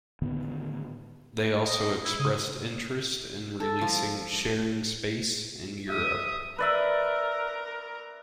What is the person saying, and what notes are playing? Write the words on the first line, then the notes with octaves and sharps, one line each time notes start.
They also expressed interest in releasing "Sharing Space" in Europe.
A2 D3 D#3 B3
D#5
E4
C#3 D#6
A4
F3
E5 D#6
A#4 B4 D5 E5